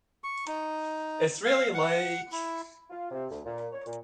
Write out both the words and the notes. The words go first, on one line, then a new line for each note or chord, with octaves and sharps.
It's really like ...
C#6
D#4
F5
F#5
E4
F4
C3
D2
A#2
C#5
A#2